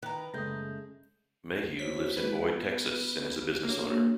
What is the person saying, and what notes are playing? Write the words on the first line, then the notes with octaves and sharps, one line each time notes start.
Mayhew lives in Boyd, Texas and is a business owner.
D#3 B4 A#5
F#1 C#3 G#3 A3 D#6 G6 A#6
F#4 C5 C#5 B6
G#3 E4 B4
B3
A#3 D4 F#4 C#5